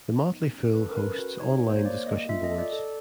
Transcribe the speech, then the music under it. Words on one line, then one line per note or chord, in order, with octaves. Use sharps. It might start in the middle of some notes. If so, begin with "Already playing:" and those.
The Motley Fool hosts online discussion boards.
B3
D#4
C#4
A4 B4
A#4
C#4 B4
F#4
D#4 C#5
A#3
C5
C#5
A#3 D5
A#3 D#5
F4 E5
D#5
A4
D5
A4